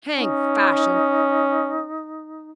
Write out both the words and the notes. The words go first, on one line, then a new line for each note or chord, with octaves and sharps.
'Hang fashion!
C#4 D#4